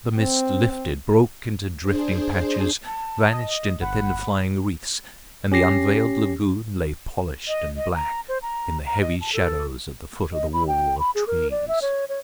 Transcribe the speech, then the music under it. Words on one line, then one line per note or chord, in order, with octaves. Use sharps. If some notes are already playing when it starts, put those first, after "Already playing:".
The mist lifted, broke into drifting patches, vanished into thin flying wreaths; and the unveiled lagoon lay, polished and black, in the heavy shadows at the foot of the wall of trees.
C4
D4 G#4 C5
A5
D#5
G1 F#5 B5
C#4 G4 A#6 C7
D#5
D#5
A#5
C5
A#5
A#5
D#5
A5
A4
D#5
B5
G5
B5
G#4
A#4
D5
E5
C#5
C#5